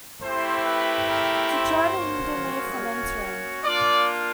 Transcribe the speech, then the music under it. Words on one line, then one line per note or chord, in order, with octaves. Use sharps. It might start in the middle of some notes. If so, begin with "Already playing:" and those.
To try to hinder me from entering.
A3 C4 E4 G4 C5
B4
A#4
C5
A#3 C#4 F#4
C#5
A#3 D4 F4 D5